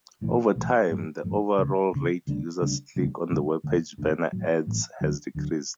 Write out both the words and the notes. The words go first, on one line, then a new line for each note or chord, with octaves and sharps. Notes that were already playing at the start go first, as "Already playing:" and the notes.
Over time the overall rate users click on webpage banner ads has decreased.
B1 A2 E3
B1 A2 E3
A1 G2 F#3 A3
A1 G2 F#3 A3
E1 D2 C#3
E1 D2 C#3
D2 C#3 G3 D4
D2 C#3 G3 D4
E1 D2 C#3 G3
E1 D2 C#3 G3
E1 D2 D3
E1 D2 D3
A1 A2 F#3
A1 A2 F#3
D2 D3 F#3
D2 D3 F#3